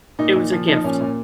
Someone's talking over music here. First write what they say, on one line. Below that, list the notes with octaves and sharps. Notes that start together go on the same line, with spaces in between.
it was a gift.
A#2 D#4
A#2 D#4
F3
F3 D#4
A#2 C#4
A#2